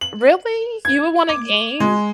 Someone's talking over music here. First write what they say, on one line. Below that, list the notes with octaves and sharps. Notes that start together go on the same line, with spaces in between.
Really? You would wanna game?
F#7
G#6
D6
G#3